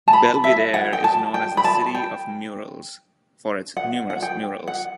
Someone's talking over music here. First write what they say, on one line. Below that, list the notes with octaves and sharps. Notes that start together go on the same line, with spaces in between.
Belvidere is known as the "City of Murals", for its numerous murals.
A5
B5
E5
F#5
G5
A5
G5
B5
A5
G5
F#5
F#5
G5
F#5